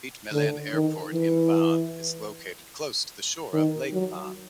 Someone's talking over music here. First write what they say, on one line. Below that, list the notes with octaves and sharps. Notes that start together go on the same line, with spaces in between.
Ferit Melen Airport in Van is located close to the shore of Lake Van.
D3
D#3
E3
D#3
F#3